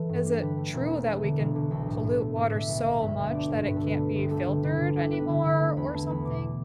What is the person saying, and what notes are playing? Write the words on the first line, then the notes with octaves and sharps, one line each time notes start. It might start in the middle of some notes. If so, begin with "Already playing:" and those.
is it true that we can pollute water so much that it can't be filtered anymore or something?
Already playing: E3 A4 B4
G2
G3
D3 B4
A3
E1
A3
A3 A4
D3
E1
D3
B1 A4
A2
A2
A3
A2 D5
A2 E5
B1
B1
G2 E5
G1
A3 D5
G2
G2 B4
A4
D3 B4
A3
G1
G3 A4
D3
D3 B4
D3
G3 A4
B3 B4
D3 E5
D3 B5
A3
E2 B5
A3 A5
E2 B5
B2 D6